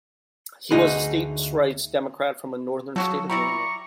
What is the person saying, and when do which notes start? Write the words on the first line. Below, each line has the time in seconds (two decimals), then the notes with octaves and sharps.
He was a States-rights Democrat from a northern State of New England.
0.71 D2 D#4 G#4 B4
2.96 C#3 F#3 F#4 A4
3.30 G3 E4 D5 A#5 C#6